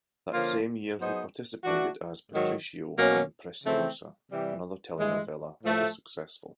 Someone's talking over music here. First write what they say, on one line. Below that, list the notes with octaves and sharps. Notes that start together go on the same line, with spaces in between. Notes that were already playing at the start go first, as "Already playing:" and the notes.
That same year, he participated as "Patricio" in "Preciosa", another telenovela that was successful.
D3 F3 A#3 C#4 F4
F#3 B3 D#4 G#4 C5
E3 A3 D4 F#4
G#2 D#3 F#3
B2 F#3 A#3 C#4
C#3 E3 A3 C4
C3 E3 G3
G2 E3 G#3
A2 F3 A3